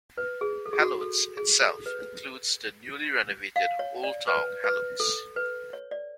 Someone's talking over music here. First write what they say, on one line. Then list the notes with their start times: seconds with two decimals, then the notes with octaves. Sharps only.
Helotes itself includes the newly renovated Old Town Helotes.
0.17 B4
0.41 G#4
0.66 A4
0.73 G#4
0.79 F#4
0.86 G#4
1.01 A4
1.37 G#4
1.61 A4
1.86 B4
3.56 F5
3.79 C#5
4.03 D5
4.27 B4
4.64 B4
5.00 A4
5.36 B4
5.73 C#5
5.91 D5